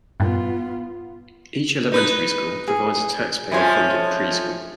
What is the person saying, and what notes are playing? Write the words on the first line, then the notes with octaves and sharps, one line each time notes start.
Each elementary school provides a taxpayer funded preschool.
G2 A#2 B3 F4
D#4 B4
G#4
F2 F3 C#4 E4 G#5 C6